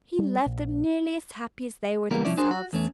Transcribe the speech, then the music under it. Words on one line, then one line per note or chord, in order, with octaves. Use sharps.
He left them nearly as happy as they were themselves.
G3
A#1
C#3 E3 G3 A#3 B3 A#4
C2 F3 C#4 E4 D5
D4 F#4 G#4 A#4 C5
F#4
E2 A3 C#4